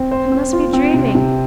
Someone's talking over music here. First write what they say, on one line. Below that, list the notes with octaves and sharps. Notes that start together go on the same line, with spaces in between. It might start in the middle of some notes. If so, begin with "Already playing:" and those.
I must be dreaming!
Already playing: C4 C5
C5
C4
F4
C4
C3
C3